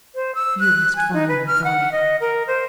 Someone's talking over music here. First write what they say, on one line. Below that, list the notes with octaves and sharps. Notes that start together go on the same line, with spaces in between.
You must find them for me!
C5
E6
F#6
G#5
D#4
B4
F6
F#5
D#5
A#4
C5